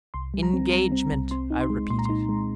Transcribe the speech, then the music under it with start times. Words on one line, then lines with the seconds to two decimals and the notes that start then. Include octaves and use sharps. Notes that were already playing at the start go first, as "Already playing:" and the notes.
"Engagement," I repeated.
0.14 C2 C6
0.34 G3
0.43 A#5
0.53 C4
0.72 G3 A#5
0.92 C4
1.11 C2
1.31 C4 C6
1.50 D#4
1.61 C6
1.70 G#3
1.90 A#2 C6
1.99 A#5
2.05 D#4 C6
2.29 G#3